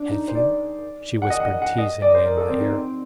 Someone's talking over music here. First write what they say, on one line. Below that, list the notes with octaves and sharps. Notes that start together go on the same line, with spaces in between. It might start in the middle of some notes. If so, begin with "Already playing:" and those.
"Have you?" she whispered teasingly in my ear.
Already playing: D4
D#4
C5
D5
F#5
D#5
F#5
D#5
F#5
D#5
D5
C5
A#4
A4
C4
D#4
C4